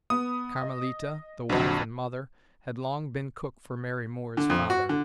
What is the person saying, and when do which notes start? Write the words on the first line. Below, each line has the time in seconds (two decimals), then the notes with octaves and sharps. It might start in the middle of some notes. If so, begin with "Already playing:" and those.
Carmelita, the wife and mother, had long been cook for Mary Moore's father.
0.10 B3 D#6
0.61 D#5
1.49 A#1 F2 D3 F#3
4.37 D3
4.50 F2
4.70 F#4
4.89 D3